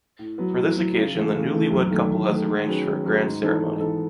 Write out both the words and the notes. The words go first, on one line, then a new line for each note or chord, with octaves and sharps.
For this occasion, the newlywed couple has arranged for a grand ceremony.
A2
F#3 B3
A2
F#3 B3
C#3
E3 A3
C#3
E3 A3
F#2
D#3 A3
F#2
D#3 A3
D#3
F#3 C#4 G#4 B4
D#3
F#3 C#4 G#4 B4
G#2
E3 B3 D#4 A4
G#2
E3 B3 D#4 A4